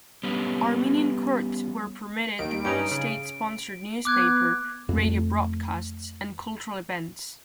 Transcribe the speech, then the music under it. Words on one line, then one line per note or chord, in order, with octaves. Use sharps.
Armenian Kurds were permitted their own state-sponsored newspaper, radio broadcasts and cultural events.
G3 B3 C#4
D#2 D#3 D7
G2 C#4 D#4 D7
C#3
B3 D6 F#6 G#6
F2 A3